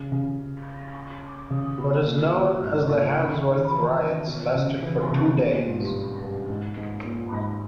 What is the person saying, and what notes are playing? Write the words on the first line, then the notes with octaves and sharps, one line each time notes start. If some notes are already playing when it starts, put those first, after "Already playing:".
What is now known as the Handsworth Riots lasted for two days.
Already playing: C#3
C#3
C#3
B2
A#2
A#2
G#2
A#2
C#3
D#3
E3
D#3
B2
C#3
E3
B2
C#3
C#3
B2
A#2
G#2
G2
G2
G#2
G#2
A#2
G#2